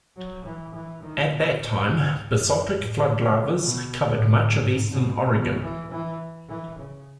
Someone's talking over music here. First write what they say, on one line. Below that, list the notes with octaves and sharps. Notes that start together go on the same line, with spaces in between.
At that time basaltic flood lavas covered much of eastern Oregon.
F#3
E3
E3
D#3
B2
A2
G#2
F#2
A2
C#3
B2
A2
G#2
B2
B2
E3
E3
E3
C#3